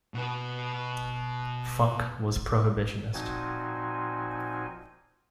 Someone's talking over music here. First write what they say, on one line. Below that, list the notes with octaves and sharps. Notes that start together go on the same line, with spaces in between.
Funk was a prohibitionist.
B2 B4
A#2 F3 C4 D#4 F#4 G#5